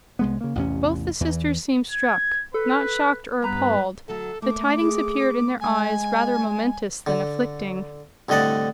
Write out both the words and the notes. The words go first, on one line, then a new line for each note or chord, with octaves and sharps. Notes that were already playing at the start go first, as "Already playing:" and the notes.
Both the sisters seemed struck: not shocked or appalled; the tidings appeared in their eyes rather momentous than afflicting.
C2 G#3 B3
C#3 A#3
A1 E2 C3 C#4
E2 E3
G#6
A4 B4
G2 B3 B4 A#5
D2 F#3 A4
A3 A#3 D6
G#4
G#3 G#5
D3
C2 A2 D3 D#5 F#5 A5